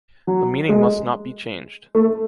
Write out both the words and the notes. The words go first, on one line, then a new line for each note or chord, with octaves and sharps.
The meaning must not be changed.
F#3
G#3
A3